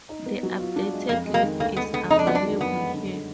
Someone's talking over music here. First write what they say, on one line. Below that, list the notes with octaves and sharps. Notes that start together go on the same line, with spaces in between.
The updated list is available here.
D#4
B3
F#3
F4
D4
G#3
F2 A#3
G#3
A#3
D#3
D2 A#3
G#3 B3
D3 B3
F2 D#4
D4
F#3 B3
D4
D#3
F#2 B3
G#3
D3